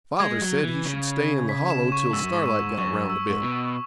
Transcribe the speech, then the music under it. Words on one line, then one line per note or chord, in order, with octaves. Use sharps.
Father said he should stay in the Hollow till Starlight got round a bit.
G#3 G#6
F#3
E3
C#3
B6
E7
C#6
G#2 E6
F#2
G#2
C#6
F#2 C#6
E6
G#2
B2